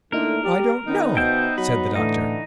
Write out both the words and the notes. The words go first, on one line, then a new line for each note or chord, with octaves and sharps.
"I don't know," said the doctor.
D3 A3 A#3 D#4 E4 A#4
G3 G4 D5 F6
D#3 B3 D#4
B2 C5 E5 G5
F#3 F#4 B5
A2 D3 E3 A3 D#4